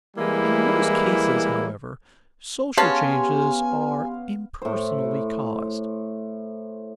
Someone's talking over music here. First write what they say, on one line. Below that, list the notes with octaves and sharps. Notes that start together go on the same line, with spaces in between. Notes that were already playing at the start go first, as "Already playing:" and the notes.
In most cases, however, social changes are impersonally caused.
E3 G3 G#3 A#3 E4
B3 C#4 G4 G#4 F5 G#5 A5 C6
A2 C5